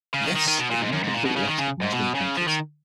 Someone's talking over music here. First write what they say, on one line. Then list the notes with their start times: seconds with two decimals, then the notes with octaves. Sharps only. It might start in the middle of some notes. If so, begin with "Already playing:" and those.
This is an incomplete list of Muslim painters.
0.14 C#3
0.25 D#3
0.36 D#3
0.47 D#3
0.58 B2
0.70 A#2
0.81 G#2
0.92 F#2
1.04 G#2
1.14 A#2
1.26 B2
1.37 C#3
1.48 D#3
1.58 C#3
1.81 G#2
1.93 B2
2.15 C#3
2.38 F3
2.48 D#3